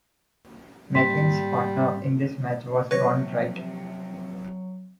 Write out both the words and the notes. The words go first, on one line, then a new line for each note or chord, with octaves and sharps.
McInnes' partner in this match was Ron Wright.
G#2 G3 A#3 C6 B6
C3 F3 F#3 B4 C#5 A#6